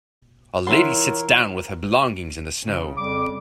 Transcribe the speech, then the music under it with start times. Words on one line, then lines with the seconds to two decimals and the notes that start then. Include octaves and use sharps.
A lady sits down with her belongings in the snow.
0.67 E3 E4 F4 A#4 C#5 F#5 C6
2.64 C#3
2.96 F2 G3 D6